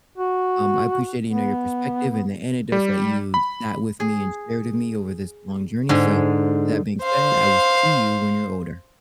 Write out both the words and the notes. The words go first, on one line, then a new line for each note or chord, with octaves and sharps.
um, I appreciate, you know, your perspective and the anecdotes that you sat with me and shared with me over this long journey, so with that being said, I will see you when you're older.
F#4
B3
G3
B5
G#4
G#2 D3 G#5
C5 F5